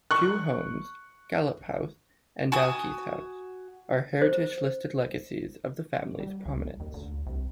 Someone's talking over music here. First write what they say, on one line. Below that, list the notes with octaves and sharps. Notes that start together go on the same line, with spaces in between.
Two homes, Gallop House and Dalkeith House, are heritage-listed legacies of the family's prominence.
C#6 F#6
F#4 G#5 D#6
C5
G3
C#2
D#2
D2
C2